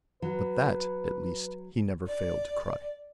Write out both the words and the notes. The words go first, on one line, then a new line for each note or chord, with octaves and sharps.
But that, at least, He never failed to cry.
F#3 B4
D5